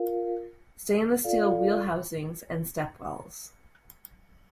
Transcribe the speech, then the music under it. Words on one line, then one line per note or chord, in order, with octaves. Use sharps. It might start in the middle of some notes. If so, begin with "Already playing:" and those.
Stainless steel wheelhousings and stepwells.
Already playing: F4 A#4 F5
F4 A4 D5 F5